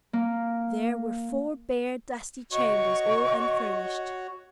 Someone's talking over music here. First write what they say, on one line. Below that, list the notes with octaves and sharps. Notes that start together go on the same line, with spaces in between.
There were four bare, dusty chambers, all unfurnished.
A#3
F#4 C#5 D#5 C#6